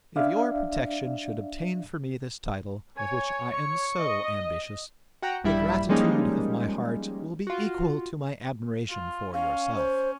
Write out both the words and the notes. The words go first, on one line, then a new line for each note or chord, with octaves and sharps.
If your protection should obtain for me this title, of which I am so ambitious, the gratitude of my heart will be equal to my admiration for yourself.
D4 D5 E5 F5
C#5 G#5
C#6
D#5
F#4 F#5 G5 A#5
A#1 G2 G3 E4 E5 B5
F3 G3 G#3 A#3 C#4 D#4
F4 F#4
F4
C#4 F5
C5